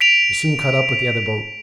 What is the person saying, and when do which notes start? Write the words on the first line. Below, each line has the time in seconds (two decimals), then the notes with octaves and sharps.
We soon caught up with the other boat.
0.01 B6 D7 F7